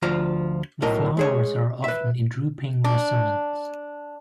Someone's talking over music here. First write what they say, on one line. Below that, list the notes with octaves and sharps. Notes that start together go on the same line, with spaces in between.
The flowers are often in drooping racemes.
D2 F3 F4 F5 A#5
B1 A2 A#4 D#5
G#3 G#4 C#5
B4 E5
D4